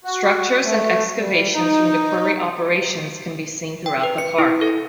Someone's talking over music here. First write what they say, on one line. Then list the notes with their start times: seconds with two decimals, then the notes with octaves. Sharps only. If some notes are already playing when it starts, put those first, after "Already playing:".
Structures and excavations from the quarry operations can be seen throughout the park.
0.04 F#4
0.64 A3
1.17 G3
1.54 D#4
3.86 G5
4.03 B4
4.18 C#7
4.38 E4
4.61 A4